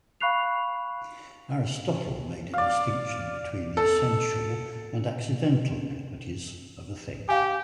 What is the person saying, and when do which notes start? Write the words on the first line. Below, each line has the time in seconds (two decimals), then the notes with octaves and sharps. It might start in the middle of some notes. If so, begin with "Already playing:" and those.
Aristotle made a distinction between the essential and accidental properties of a thing.
0.20 F5 B5 C#6 F#6 C7 F7
2.54 D5 F5
3.77 A4
7.29 G4 F5 G#5